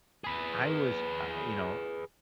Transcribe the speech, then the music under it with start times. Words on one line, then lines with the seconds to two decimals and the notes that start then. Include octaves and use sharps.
e I was, uh, you know,
0.24 G#4 B4